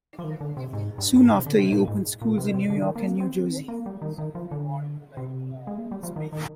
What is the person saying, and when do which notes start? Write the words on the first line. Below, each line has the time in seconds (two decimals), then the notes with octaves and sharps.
Soon after, he opened schools in New York and New Jersey.
0.19 F3
0.24 D#3
0.41 D3
0.57 C3
0.73 G#2
0.98 G2
1.16 G2
1.23 G#2
1.34 C3
1.46 D3
1.59 C3
1.72 A#2
1.87 G#2
2.22 A#2
2.38 C3
2.54 C3
2.70 D3
2.82 D#3
2.95 A#3
3.07 C4
3.20 C4
3.68 A#3
3.86 G3
4.02 D#3
4.18 D#3
4.35 F3
4.51 D3
5.17 C3
5.67 G#3
5.78 A#3
5.91 G3
6.03 F3
6.16 D#3
6.32 D#3